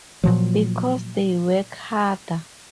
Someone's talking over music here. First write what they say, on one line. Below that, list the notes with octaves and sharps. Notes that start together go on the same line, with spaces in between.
Because they work harder?
A#2 F3 F#3